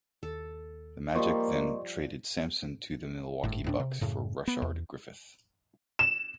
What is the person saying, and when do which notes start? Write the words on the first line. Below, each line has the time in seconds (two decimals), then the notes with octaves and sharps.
The Magic then traded Sampson to the Milwaukee Bucks for Rashard Griffith.
0.23 D#2 A4
1.15 F3 G3 A#3 D#5 C6 C#6
3.43 G1 A2
3.64 D2 A2 D4
3.80 C3
4.01 F#2 A2 C#3
4.47 B3
4.62 E2
5.99 E7